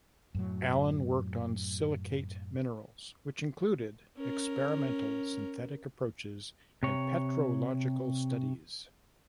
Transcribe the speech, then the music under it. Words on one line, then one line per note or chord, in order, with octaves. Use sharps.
Allen worked on silicate minerals which included experimental synthetic approaches in petrological studies.
F#2 A2 F#3
C#4 A#4
C3 C#5